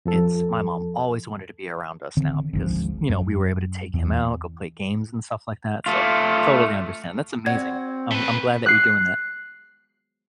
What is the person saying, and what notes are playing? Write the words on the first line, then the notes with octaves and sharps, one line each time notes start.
it's my mom always wanted to be around us now because, you know, we were able to take him out, go play games and stuff like that, so, totally understand. That's amazing. I'm I'm glad that you're doing that.
F2 F3 A4
D3 D#3 C4
G#1 D2 G#2 F3
F#2
E2
A3 F4
C4 F#4 D5 G#6
A3 B4
F#6 C7